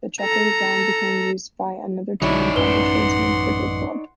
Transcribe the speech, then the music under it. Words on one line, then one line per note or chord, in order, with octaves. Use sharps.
The Chuckery ground became used by another team called the Tradesmen's Cricket Club.
A4 A#5
B1 D3 F#3 D#4 E4 C#5 D5
A1 F#2 C#4 B4 F#5 C6 G7